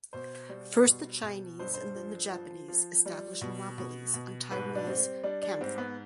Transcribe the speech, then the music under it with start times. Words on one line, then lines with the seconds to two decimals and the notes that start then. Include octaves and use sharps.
First the Chinese and then the Japanese established monopolies on Taiwanese camphor.
0.13 B2 C5
0.49 G3
0.87 B2
1.23 B2
1.59 G2 C5
1.74 C5
1.96 F3
2.33 F3
2.68 F3
3.06 G3
3.41 B2
3.78 B2
4.14 B2
4.51 G#2 B4
4.75 D4
4.87 G3 C4
5.23 G3 D4
5.42 D4
5.61 G#2 C4
5.78 B3